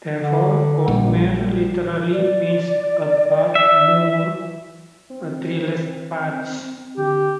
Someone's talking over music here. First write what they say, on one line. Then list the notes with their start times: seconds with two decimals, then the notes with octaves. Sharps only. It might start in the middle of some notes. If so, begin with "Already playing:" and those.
Therefore, Boldmere literally means a "bald moor"; a treeless patch.
0.19 D3
0.88 A#1 G3
2.13 D5
3.55 E5
5.10 C4
6.97 D3 G4